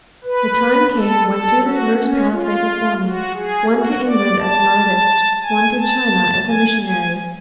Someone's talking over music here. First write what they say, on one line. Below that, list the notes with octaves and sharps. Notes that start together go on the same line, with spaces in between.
The time came when two diverse paths lay before me--one to England, as an artist; one to China, as a missionary.
B4
A4
A4
F#4
C#4
F4
F#4
G#4
F#4
D5
A5
G#5
A5
G#5
G#5